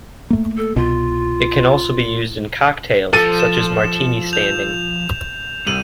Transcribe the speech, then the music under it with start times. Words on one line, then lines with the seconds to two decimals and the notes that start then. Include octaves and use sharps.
It can also be used in cocktails such as "martini standing".
0.30 A3 A#3
0.57 A4
0.76 C2 B2 F4
3.13 F3 A4 A6 D#7
3.40 E7
4.33 G6 F7
5.67 C2 D#7 F#7